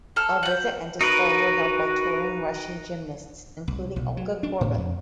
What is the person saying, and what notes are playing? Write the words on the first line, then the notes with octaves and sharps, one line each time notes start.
A visit and display were held by touring Russian gymnasts, including Olga Korbut.
A4 F6
F#5 G6
D#4 F#4 A#4 B4
C2
B1
F#3
D4
A2
F2